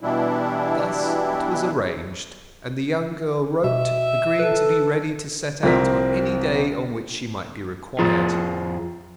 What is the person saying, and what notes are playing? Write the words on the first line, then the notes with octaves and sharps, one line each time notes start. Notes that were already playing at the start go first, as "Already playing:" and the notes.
Thus it was arranged; and the young girl wrote, agreeing to be ready to set out on any day on which she might be required.
B2 E3 G3 D4 E4
B2 E5
A4 B4
C2 F3 C4 A#4 B6
F2 F3 F4 G#4